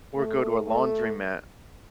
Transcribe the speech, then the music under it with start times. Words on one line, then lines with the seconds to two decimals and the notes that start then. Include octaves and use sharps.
Or go to a laundromat,
0.17 A3
0.67 A3